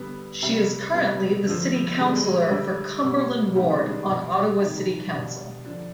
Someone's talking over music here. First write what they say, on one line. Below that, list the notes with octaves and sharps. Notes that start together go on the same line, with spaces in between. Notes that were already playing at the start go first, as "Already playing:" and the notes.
She is currently the city councillor for Cumberland Ward on Ottawa City Council.
Already playing: D3 G3 B3
C3 G3
C3 G3 B3
D3 F3
D3 G3 G#3
G#3
G#3
D3 G3
B2 G3
C3 D#3 G3 G#3
B3
D4
B2 G3
C3 D#3 G3
B2 G3 D4
D3 F3 D4